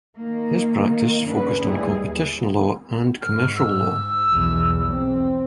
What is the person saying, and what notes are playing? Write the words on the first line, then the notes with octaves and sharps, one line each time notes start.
His practice focused on competition law and commercial law.
D#3 A#3
G2 C#3 F#3 D4 B4
D#2 A2 G3 E4 G#4
G#2 F6
E6
B1 E2
C4